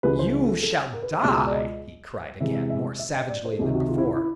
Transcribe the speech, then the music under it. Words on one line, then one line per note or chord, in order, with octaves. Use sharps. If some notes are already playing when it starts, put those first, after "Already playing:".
"You shall die!" he cried again, more savagely than before.
C#2 C#3 E3 B4
C5
A4
A4
A#4
B4
C5
C#2 B2 G#3 E5
E5
D5
D#5
C3 E3 G#3 E5
E5
E5
E5
D#5
D5
C5
A4
C#2 C3 D#3 G#4
F#4
F4
E4
E4